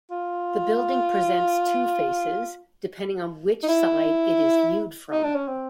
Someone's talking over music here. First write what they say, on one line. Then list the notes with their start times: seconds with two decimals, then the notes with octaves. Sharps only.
The building presents two faces, depending on which side it is viewed from.
0.11 F4
3.63 D#4
3.68 E4
5.11 D#4
5.23 D4
5.35 C#4
5.48 C4